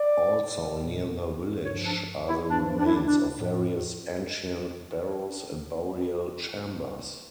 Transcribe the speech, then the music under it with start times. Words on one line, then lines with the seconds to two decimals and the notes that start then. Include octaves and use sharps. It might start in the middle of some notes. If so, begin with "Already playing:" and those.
Also near the village are the remains of various ancient barrows and burial chambers.
Already playing: D5
0.78 A#2 G3
1.64 G2 F3 C#5
1.85 D4
2.29 E4
2.49 G2 F3 D4
2.78 D4
2.86 E4
2.95 D4
3.07 D4
3.35 A2 F3